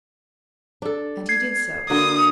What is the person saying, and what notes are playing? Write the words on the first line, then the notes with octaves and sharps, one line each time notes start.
And he did so.
D4 A4
G#6 C7
D3 A#3 F#4 D#6